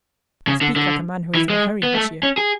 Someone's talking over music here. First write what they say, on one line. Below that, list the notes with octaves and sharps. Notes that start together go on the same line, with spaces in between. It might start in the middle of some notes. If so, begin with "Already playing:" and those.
"I speak like a man who is in a hurry, monsieur."
C#3
D3
D3
E3
G#3
B3
A3
C#4
G#4